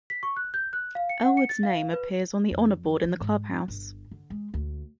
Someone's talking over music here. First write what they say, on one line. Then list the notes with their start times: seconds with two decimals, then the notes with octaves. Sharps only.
Ellwood's name appears on the honour board in the clubhouse.
0.10 B6
0.23 C#6
0.37 F#6
0.54 G6
0.73 F#6
0.95 F5
1.10 C#7
1.23 F#5
1.37 C#7
1.49 A6
1.63 F5
1.93 B4
2.51 F2
3.04 E3
3.21 G#2
3.68 G1
4.11 D3
4.30 G#3
4.54 D2